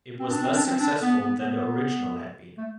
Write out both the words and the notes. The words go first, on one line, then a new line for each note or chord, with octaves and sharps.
It was less successful than the original had been.
C4
D4
C4
D4
C4
D4
B3
B3
B3
A3